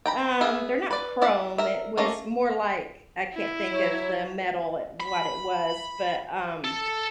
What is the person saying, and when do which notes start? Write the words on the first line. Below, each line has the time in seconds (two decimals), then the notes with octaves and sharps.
um, they're not chrome, it was more like, I can't think of the metal, what it was, but, um,
0.06 G5 A#5 B5
0.41 B3 G#4 E5
0.91 B4 D5
1.22 E4 D5 F#5
1.58 A#4 E5
1.97 A3 A#3 C#4
3.34 E4
3.71 F#3 C#5
5.00 B5
6.64 A4